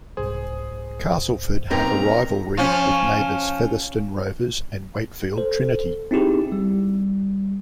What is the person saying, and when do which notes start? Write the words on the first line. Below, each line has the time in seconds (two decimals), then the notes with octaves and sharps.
Castleford have a rivalry with neighbours Featherstone Rovers and Wakefield Trinity.
0.17 C2 G#2 G#4 C5
1.70 B1 A#2 C4 D#4 A#4 B4 A#5
2.57 F3 C#4
5.37 A4 C5
6.11 C4 D#4 E4 G4 G#4
6.52 G3